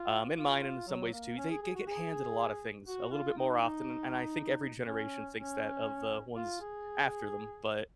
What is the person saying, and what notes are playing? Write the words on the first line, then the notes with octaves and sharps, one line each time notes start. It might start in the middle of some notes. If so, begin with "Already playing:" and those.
um, and mine, in some ways too, they they get handed a lotta things a little bit more often, and I think every generation thinks that of the ones after them. But,
Already playing: F4
F4
F#3
A#3
C#4
G#4
G#4
F#4
G#4
F#4
F4
D#4
D#4
C#4
C#4
F4
G#4